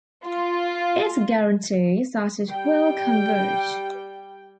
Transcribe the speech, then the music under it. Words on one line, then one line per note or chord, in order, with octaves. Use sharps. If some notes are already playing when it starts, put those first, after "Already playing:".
It guarantees that it will converge.
F4
G3 G5